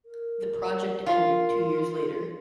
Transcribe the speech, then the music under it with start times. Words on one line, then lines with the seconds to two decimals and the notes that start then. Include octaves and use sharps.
The project ended two years later.
0.06 A#4
1.06 F4 A#4